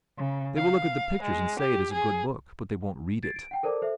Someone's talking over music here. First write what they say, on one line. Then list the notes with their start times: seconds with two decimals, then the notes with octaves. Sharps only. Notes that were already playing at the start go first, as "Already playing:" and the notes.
They will look at the pictures and say it is a good book, but they won't read it.
0.17 C#3
0.56 F5
1.22 G#3
1.60 G4
1.92 G#4
3.23 G#6 A6 C7 D7
3.36 D7
3.51 F#5 G5 A5
3.63 A4 A#4 C5 D5 A5 D6
3.82 A4 C5 E5